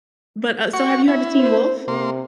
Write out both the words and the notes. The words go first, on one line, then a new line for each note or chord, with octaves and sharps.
But, uh, so have you heard of Teen Wolf?
F#4 C#6
E4
C5
C3 A#3 C6